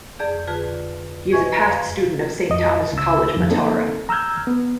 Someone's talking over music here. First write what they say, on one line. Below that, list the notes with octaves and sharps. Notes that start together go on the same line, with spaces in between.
He is a past student of Saint Thomas' College, Matara.
F2 G#4 D5 G6
D3 F4 G#4 B4 A5
B4 D#5 E5 G#5 C#6 G#6
F#2 A#5
F5
F2 D#5
C#2 E6
F2 F3
A#3 C4 D#4 A4
A#5 E6 F6 G6 G#6
B3